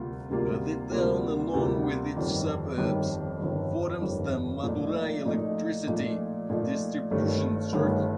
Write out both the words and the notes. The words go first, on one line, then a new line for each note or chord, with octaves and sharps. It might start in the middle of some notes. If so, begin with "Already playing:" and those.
The town along with its suburbs forms the Madurai Electricity Distribution Circle.
Already playing: D2 C3 G3 A#3 F4
D2 C3 G3 A#3 F4
D2 C3 G3 A#3 F4
D2 C3 G3 A#3 F4
G1 F2 D#3 G3
G1 F2 D#3 G3
G1 F2 D#3 G3
G1 F2 D#3 G3
A#2 F3 A3 D#4
A#2 F3 A3 D#4
A#2 F3 A3 D#4
A#2 F3 A3 D#4
G1 G2 D#3 A3
G1 G2 D#3 A3